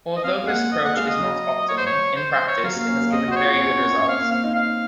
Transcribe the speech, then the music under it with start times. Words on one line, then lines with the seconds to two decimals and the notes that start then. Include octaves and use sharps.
Although this approach is not optimal, in practice it has given very good results.
0.17 D#5
0.24 C4 F5
0.44 G#3
0.48 A#3 F#5
0.72 A#3 D#5
0.85 F#5
0.96 G#3 F5
1.08 D#5
1.20 F#3
1.69 C#5
1.78 C5
1.87 C#5
2.16 C5
2.32 C5
2.48 C#5
2.64 F#3 F5
2.76 A#3
2.88 C#4
3.01 A#3
3.12 C4 D#5
3.28 F#4
3.32 C5
3.36 C#5
3.44 F4
3.55 C4
3.60 C#4
3.76 C4
3.91 C#4
4.08 C4 F5
4.20 A#3
4.31 C4 F5
4.44 D#4
4.55 D#4 F5